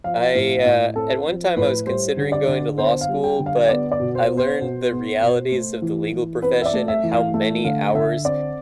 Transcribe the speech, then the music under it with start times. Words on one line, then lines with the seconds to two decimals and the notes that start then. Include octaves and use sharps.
I, uh, at one time, I was considering going to law school, but I learned the realities of the legal profession and how many hours
0.04 F3 F5
0.35 A2
0.65 A2
0.95 C4 A4
1.26 F3
1.56 A2 B4
1.86 G3 C5
2.17 D3
2.32 D5
2.47 D3
2.78 B3 C5
3.01 F5
3.09 G3
3.24 G5
3.39 D3
3.46 F5
3.69 B3 D5
3.92 D5
4.00 B2
4.15 C5
4.30 B3
4.37 C5
4.60 B2
4.91 B3
5.21 B2
5.52 A3
5.82 E3
6.12 E3
6.42 C4 B4
6.62 E5
6.66 D5
6.74 A3
6.88 E5
7.03 E3
7.12 F5
7.34 A3
7.65 D3 F5
7.95 D3 E5
8.25 C4 D5